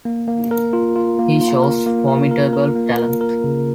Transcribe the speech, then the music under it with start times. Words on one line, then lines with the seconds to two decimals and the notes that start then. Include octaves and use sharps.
He shows formidable talent.
0.05 A#3
0.28 A#3
0.51 A#4
0.73 F4
0.96 F4
1.19 A#3
1.41 F4
1.63 A#4
1.86 A#3
2.08 A#4
2.31 A#4
2.53 A#4
2.75 A#3
2.99 A#4
3.21 A#4
3.44 C#3